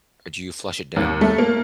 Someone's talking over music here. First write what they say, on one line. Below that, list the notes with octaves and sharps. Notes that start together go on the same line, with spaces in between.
or do you flush it down?
D#2
A3
A#3